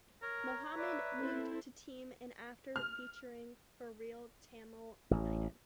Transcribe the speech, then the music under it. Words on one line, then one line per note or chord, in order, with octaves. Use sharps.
Mohammed moved to team in after featuring for Real Tamale United.
A#4 C#5 A#5
B4 D5 E5
C4 E4 A4 C5
F6
A1